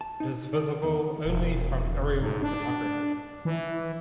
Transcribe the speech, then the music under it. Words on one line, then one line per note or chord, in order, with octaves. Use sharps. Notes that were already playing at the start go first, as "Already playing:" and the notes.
It is visible only from aerial photography.
A5
D#4
D5
E2
E1
G#2
D4
E3